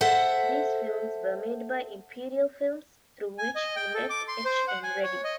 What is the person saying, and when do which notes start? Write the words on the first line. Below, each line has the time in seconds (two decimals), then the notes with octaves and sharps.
These films were made by Imperial Films, through which he met H. M. Reddy.
0.01 A4 C5 E5 F#5
3.38 G#5
3.56 D#5
3.76 G5
3.94 A4
4.10 D6
4.28 C6
4.45 C5
4.68 F#5
4.83 G#5
5.03 C#5
5.24 D#5